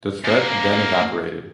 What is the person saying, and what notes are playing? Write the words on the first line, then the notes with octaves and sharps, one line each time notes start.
The threat then evaporated.
F#2 A#3